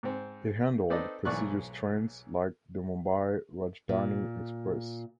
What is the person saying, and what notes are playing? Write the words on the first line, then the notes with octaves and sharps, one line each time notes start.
It handled prestigious trains like the Mumbai Rajdhani Express.
G#2 C4
C4 D#4 A4 B4 D5 D#5
B1 G#2 E3 D5 C#6 F#6
A#2